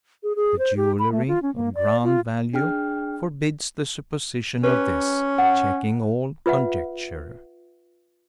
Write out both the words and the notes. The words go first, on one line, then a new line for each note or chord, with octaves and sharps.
The jewellery, of grand value, forbids the supposition of this, checking all conjecture.
G#4
G#4
C5
G4
B5
A3
F4
C#4
A#3
D5
F4
D4 G#4 G5 F6
C#4 G4 B4
F#5
F4 B4 E5 F#5